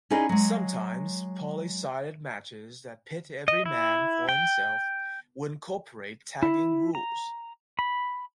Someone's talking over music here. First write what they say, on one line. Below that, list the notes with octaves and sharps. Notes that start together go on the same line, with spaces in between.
Sometimes, poly-sided matches that pit every man for himself will incorporate tagging rules.
C#4 D#4 E4 G#4 D5 D#5
F#3 G#3
D#5
E4
G5
E4
A#5
B5